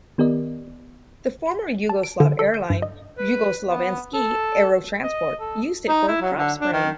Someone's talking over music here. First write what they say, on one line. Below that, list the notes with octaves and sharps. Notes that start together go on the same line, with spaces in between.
The former Yugoslav Airline, Jugoslovenski Aerotransport, used it for cropspraying.
D#3 B3 G4 A#4 D5 D#5
A5
D7
D3
A4
G6
G2
D#5
B4
B3
A4
D#5
A4
D#4
E4
F#3
D3
D4
D#3